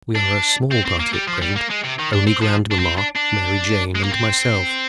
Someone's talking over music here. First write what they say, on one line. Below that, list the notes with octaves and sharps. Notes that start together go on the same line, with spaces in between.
We are a small party at present, only grandmamma, Mary Jane, and myself.
D4
C4
C4
A#3
G3
F3
G3
A#3
G#3
C3
D#3
D4
C4
F3
D4
C4
D4
D4
G#3
A#3
C4